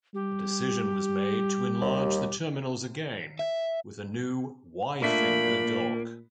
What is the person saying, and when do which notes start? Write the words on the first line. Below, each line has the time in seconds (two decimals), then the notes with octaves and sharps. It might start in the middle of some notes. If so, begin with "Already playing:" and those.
A decision was made to enlarge the terminals again with a new "Y-finger" dock.
0.15 G3 G4
1.81 D#2
3.39 E5
5.02 A#2 A3 A#3 D4 B5 B6